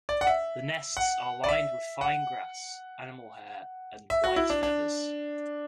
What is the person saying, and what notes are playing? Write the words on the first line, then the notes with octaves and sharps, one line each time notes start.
The nests are lined with fine grass, animal hair and white feathers.
D5
F#5
E5
F#5
D5
E5
F#5
E5
F#4
E4
D4
D4